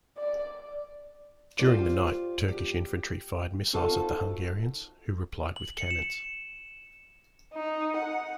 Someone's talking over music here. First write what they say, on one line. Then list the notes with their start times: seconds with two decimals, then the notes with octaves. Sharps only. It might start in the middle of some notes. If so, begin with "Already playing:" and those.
During the night, Turkish infantry fired missiles at the Hungarians, who replied with cannons.
0.17 D5
1.59 F4 G4 C5 D5
2.48 G4
3.73 D#4 F4 F#4 A4 C5 F5
5.56 F#7
5.78 C#7
5.91 E7
7.52 D#4
7.97 F#5